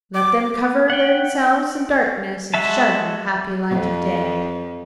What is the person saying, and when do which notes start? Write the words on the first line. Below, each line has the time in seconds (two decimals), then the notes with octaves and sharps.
Let them cover themselves in darkness and shun the happy light of day.
0.14 D6
0.90 F#5 G5
2.54 G#3 F#4 E5 A5
3.70 F2